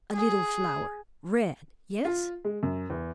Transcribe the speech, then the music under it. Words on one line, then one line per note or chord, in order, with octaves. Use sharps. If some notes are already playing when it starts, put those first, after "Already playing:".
A little flower--red?--yes!
G#4
F4
G#3
F#2
E2